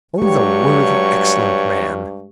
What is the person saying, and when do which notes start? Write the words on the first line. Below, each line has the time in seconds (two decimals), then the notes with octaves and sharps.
Oh, the worthy, excellent man!
0.22 G2 F#3 G#3 G4 C#5 C#6